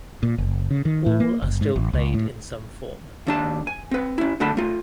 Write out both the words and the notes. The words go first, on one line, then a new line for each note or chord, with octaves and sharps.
All are still played in some form.
A#2
F#1
C#3
D#3
A2
A#3
F#1
G#2
A1
C#2
A2
D#2 D4 A5
G#5
C4 B4
C#4 E4
D3 A3 D4 F#5 A5 B5
A3 F4